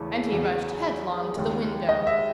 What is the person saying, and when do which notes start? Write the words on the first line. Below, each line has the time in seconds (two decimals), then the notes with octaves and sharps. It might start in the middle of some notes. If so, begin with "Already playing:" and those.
And he rushed headlong to the window.
Already playing: E2 C#3 E3 A3 E4
0.31 E2 C#3 F#3
1.36 D#2 C#3 G#3
1.89 D#5
2.07 E5